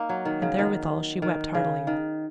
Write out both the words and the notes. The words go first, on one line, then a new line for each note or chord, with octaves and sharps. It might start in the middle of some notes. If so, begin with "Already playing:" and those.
And therewithal she wept heartily.
Already playing: A#3 D#4
F#3
D#3
C#3
D#3
D#3
C#3
D#3